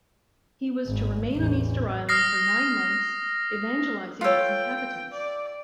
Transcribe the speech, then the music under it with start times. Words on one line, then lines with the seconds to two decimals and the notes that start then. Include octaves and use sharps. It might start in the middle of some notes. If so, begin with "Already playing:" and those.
He was to remain on Easter Island for nine months, evangelizing its inhabitants.
0.87 G#1
1.33 A1 E2
2.09 D#6 F6 A#6 C7
4.21 F4 A4 B4 C#5 G5
5.12 D5